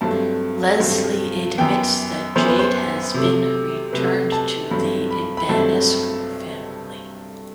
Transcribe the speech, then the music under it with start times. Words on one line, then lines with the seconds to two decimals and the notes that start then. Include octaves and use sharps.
Leslie admits that Jade has been returned to the Ibanescu family.
0.01 G2 F#3 A3 C4 A5
0.80 G2 F#3 A3 C4
1.58 F#2 E3 B3 G5
2.36 F#2 E3 B3 C5
2.48 B4
2.59 C5
3.14 C3 F#3 A3
3.93 C3 F#3 A3 B4
4.32 A5
4.70 G2 F#3 A3 C4 B5
5.10 B5
5.37 B5
5.49 G2 F#3 A3 C4 A5